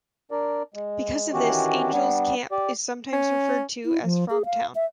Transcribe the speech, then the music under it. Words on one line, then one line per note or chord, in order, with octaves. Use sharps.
Because of this, Angels Camp is sometimes referred to as Frogtown.
D4 A#4 D5
G#3
D#3 E3 C#4 F#4 G4
G3 B3 D4
G4 D5
C#4
E4
F3
G#4
F5
E5